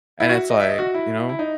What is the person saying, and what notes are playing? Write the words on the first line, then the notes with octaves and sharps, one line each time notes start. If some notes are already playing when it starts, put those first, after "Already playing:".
And it's like, you know?
E4
F#4
D#5
E5
D#5
F#4
E4
E4
D#4